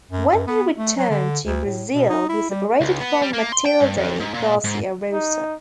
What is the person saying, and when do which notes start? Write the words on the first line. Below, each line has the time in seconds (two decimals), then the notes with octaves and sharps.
When he returned to Brazil he separated from Matilde Garcia Rosa.
0.11 F#2
0.33 F#2
0.47 B3
0.78 A3
0.97 F#3
1.10 D3
1.45 D2
1.65 A2
1.94 B2
2.09 D#4
2.29 E4
2.50 G3
2.81 C#2
3.00 B3
3.22 G3
3.33 A#3
3.52 C6
3.66 G5
3.80 G2
3.97 F2
4.19 G#2
4.34 A#2
4.64 G#2
5.13 D#4